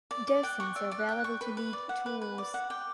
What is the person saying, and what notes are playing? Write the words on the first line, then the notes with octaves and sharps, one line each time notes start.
Docents are available to lead tours.
D5
D5
G5 F#6
C#6
D5 E6
D5
F#6
G5
F#6
C#6
B4
B4
D5
F#5
B4
B4
D5
F#5
G5 D6